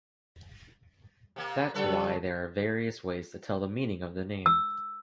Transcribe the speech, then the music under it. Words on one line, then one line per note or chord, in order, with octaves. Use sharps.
That's why there are various ways to tell the meaning of the name.
C3 A#3 C4
C#3 G3 A4 B4
E6